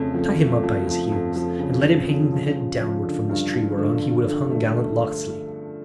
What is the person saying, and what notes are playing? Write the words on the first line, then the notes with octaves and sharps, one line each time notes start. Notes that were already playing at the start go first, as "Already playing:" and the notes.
Tie him up by his heels, and let him hang head downward from this tree whereon he would have hung gallant Locksley.
Already playing: F2 C#3 A3
F3
A3
F3
F3
F2
F3
C#3
F3
C#3
F3
F3
F3
D3
G2
F3
D3
D3
D3
A3